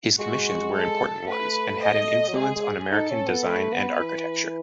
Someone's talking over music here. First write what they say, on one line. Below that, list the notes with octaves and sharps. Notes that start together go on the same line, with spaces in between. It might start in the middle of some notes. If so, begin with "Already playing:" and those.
His commissions were important ones and had an influence on American design and architecture.
G#3 F#4
A4
A3 B4
D#5
F#3
G#3 G#4
G#3
D#4 A4
C#4
B3
A3 B4
B3
E3